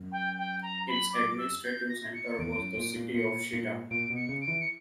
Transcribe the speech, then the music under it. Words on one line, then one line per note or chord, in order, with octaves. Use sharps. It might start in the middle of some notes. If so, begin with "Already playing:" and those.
Its administrative center was the city of Chita.
Already playing: F#2
G5
G5
A#5
B5
D6
E6
G6
A#6
C#7
E2 D7
F#2
A#2
A#2
A#2 C#7
A#2
A#2 D7
B2
C#7
C#3
D7
E3
C#7